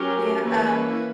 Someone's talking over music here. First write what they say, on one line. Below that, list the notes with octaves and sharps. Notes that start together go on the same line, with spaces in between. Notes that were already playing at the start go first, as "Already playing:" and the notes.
Yeah, um,
Already playing: F#3 C#4 G4 A#4
E3 A#3 C#4 E4 B4